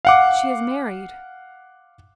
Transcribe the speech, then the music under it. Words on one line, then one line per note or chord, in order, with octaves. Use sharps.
"She is married."
F5 F#5 D6